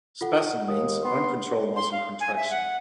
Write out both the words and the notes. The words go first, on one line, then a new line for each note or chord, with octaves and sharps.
Spasm means "uncontrolled muscle contraction".
F4 A4 F#5
D#2 D#6
B3 C6
C6
F5
G#5
E5
F#5